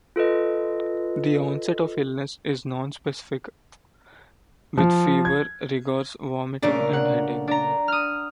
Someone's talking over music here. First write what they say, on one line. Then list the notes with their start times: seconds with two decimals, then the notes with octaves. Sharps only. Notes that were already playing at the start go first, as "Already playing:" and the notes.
The onset of the illness is nonspecific with fever, rigors, vomiting, and headache.
0.16 F4 A4 B4 D#5
4.78 F3
5.25 G#6
6.62 A#2 C#3 A3 D4 A#4
6.93 F#5
7.48 D4 A#5
7.88 D#6 F6